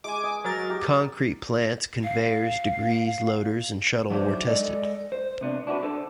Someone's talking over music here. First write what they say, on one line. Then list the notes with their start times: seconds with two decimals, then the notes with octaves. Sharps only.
Concrete plants, conveyors, degrees, loaders and shuttle were tested.
0.04 G#3 G#5 D6
0.23 D#5
0.44 F#3 A#4 A6
0.70 G4
2.03 F5
4.10 F#3 A3 D4 D#4 C5 C#5
4.47 G#3 A4 D5 D#5
5.12 C5
5.41 C3 B3 D4
5.67 D4 E4 F#4 G4 B4
5.83 D4 A4 C5 A5